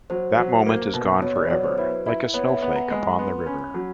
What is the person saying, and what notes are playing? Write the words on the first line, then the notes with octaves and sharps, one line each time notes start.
That moment is gone for ever, like a snowflake upon the river.
F#3 C5
F#3
A#3
B2
B2 C#5
D5
F#3 C#5
C5
E4 B4
E4
B3 C#5
E5
B3 F#5
A#5
G#3 B5
B3 C6
C#4 B5
F#3